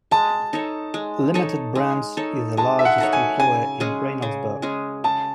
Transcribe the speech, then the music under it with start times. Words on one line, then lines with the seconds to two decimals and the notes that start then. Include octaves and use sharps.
Limited Brands is the largest employer in Reynoldsburg.
0.11 G#3 A5
0.53 D#4 A4 C#5
0.94 G#3
1.34 D#4 A4 C#5
1.75 G#3
2.17 D#4 A4 C#5
2.57 G#3 A5
2.79 E5
2.85 F#5
2.98 D#4 A4 C#5
3.13 G#5
3.40 C#3 G#5
3.80 G#3 C#4 G#4
4.22 C#3
4.62 G#3 C#4 G#4
5.04 C#3 A5